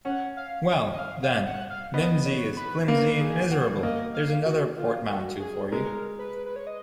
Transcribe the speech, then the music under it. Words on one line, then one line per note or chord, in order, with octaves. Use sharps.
Well, then, ‘mimsy’ is ‘flimsy and miserable’ - there’s another portmanteau for you.
C#4 F#5
F5
D#5
F5
F5
F#5
F5
B3 D#5
C#5
B4
A#3 A#4
G#4
F#4
A#3 D#5
F5
F#4
F4
F#4
G#4
G#3 A#4
B4
B4
C#5
D#5